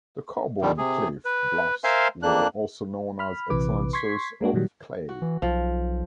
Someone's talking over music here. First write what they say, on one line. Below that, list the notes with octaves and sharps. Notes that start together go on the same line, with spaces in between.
The Carbon Cliff bluffs were also known as an excellent source of clay.
A#2 D3 D#3 G3
C3 G#4
B4
A#4 C5 E5 F5 G#5 C6
F2 A#3 D4 F#6
B5 F6
A#1 C3 E3 B4 D6
C6 C#6 G#6 B6 C7
G#3 A#3 D4 F#4
A#2 D#3 F#3 G3
F#4
E3
B1 F3